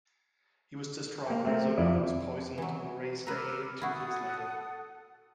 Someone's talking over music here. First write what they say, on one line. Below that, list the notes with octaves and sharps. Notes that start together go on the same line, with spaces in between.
He was distraught when Zoedone was poisoned on the race day two years later.
A#3 G5
A3 C4 A#4
F2 E4 D5
E3 F#3
A#4 B4 D6 E6 F6
E4 F#4 A4 F#5 D#6